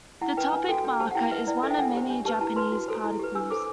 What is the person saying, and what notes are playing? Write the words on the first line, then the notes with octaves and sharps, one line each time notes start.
The topic marker is one of many Japanese particles.
E4 F#5
B4 G5
D4
F#4 A4 G5
D4 G5
G4 C5 A5
F#5
E4 G5
B4 E5
E4 D5
A4 C5 E5
G5
D4 F#5
G4 C5
D4
G4 B4 A5
E4 A5
B4 C6
F#4
A4 C5
E4
G4 B4
D4 E6
A4 C5 D6